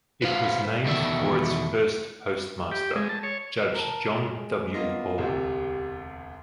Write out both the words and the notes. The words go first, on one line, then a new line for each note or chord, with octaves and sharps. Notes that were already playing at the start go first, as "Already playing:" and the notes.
It was named for its first postmaster, Judge John W. Hall.
B4 C5 F5
E2 B2 D#3 A3 D5 E5
G4
G#3
A5
C#5
A#4 A5
G#3
A#3 B3 F4 D#5
E1 D2 C3 G4